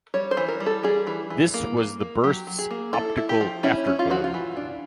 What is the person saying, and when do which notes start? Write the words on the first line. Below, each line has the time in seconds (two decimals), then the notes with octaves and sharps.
This was the burst's optical afterglow.
0.14 G3 C#5
0.31 C5
0.37 E3
0.48 A#4
0.60 G3
0.66 A4
0.83 G3 G#4
1.07 E3
1.30 E3
1.54 A#3
1.77 A#3
2.01 A#3
2.24 F#3 G4
2.47 F#3
2.59 G#4
2.71 A#3
2.93 E4 A4
3.17 E4
3.29 G4
3.41 F3
3.63 C#4 E4
3.87 C#4
3.99 F4
4.10 F3 F#4
4.24 F4
4.34 E3
4.57 D4